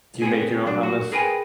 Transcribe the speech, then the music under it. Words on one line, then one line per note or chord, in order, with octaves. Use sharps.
Do you make your own hummus?
B3 C4 G#4
F#3 D4
F#4
G#4 A#4 B4 G5 G#5